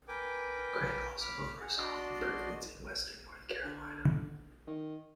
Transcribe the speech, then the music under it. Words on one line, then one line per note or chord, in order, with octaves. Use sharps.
Craig also oversaw improvements in western North Carolina.
A#4 B4 G5 G#5 D6
B5 D6 F6
G#4 F#5
D4 F#4 D5 D#5 C6
D3
D#3